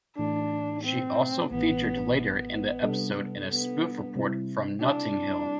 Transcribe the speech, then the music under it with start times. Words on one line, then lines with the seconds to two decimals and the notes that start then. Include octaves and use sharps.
She also featured later in the episode in a spoof report from Notting Hill.
0.18 A2 E3 A3 D4
0.84 C4
1.51 A1 A2 E3 B3
2.17 B3
2.83 C3 G3 D4 A4
3.49 B3
4.15 C3 G3 C4 E4
4.81 D4